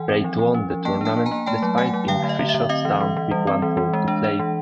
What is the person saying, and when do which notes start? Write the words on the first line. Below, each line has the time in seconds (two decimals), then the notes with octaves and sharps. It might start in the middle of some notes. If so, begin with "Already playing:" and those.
Reid won the tournament despite being three shots down with one hole to play.
Already playing: E3 F#5 G#5
0.09 C4
0.24 F3
0.39 F3
0.54 C#4
0.70 F3
0.85 A#3 G5 A5
1.01 D4 G5 A5
1.16 A#3
1.26 G#5 A#5
1.31 A#3
1.46 A3 G5 A5
1.62 F#3
1.78 A3 F#5 G#5
1.94 F#3
2.08 D3 F5 G5
2.23 A3
2.29 D#5
2.39 D3
2.49 E5
2.54 D3
2.69 C4 D#5 F5
2.85 E3
3.00 E3
3.17 E3
3.31 G3
3.47 C4
3.62 E3
3.77 E3
3.93 G#3
4.08 D4
4.24 D4
4.39 E3